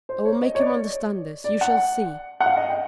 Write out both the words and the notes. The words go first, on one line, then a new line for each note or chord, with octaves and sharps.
I will make him understand this, you shall see.
C5
C#5
D#5
C#5
D5
D5
F#5
F#5
F5
D#5
G5